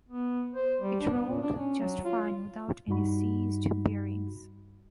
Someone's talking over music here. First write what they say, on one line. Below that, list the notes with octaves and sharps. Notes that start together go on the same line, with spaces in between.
It rolled just fine without any seized bearings.
B3
C5
G3
D4
B3
A#2
D4
C#4
F#3
F4
G2 G3 D#4 F#4 B5